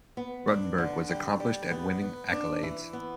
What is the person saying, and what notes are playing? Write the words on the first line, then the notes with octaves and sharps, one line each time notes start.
Ruttenberg was accomplished at winning accolades.
B3
D4
D3
G3
G3
B3
B3
D4
E3
B3